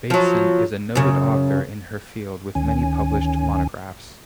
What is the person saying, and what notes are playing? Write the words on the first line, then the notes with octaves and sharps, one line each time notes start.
Bateson is a noted author in her field with many published monographs.
F3 F#3
F#2 C#3
D2 D#3 C#4 G#5